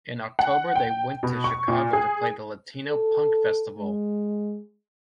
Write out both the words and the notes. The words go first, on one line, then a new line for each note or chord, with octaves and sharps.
In October they went to Chicago to play the Latino Punk festival.
F#5
G5
B2
C#6
A#2
G#4
A4
G#3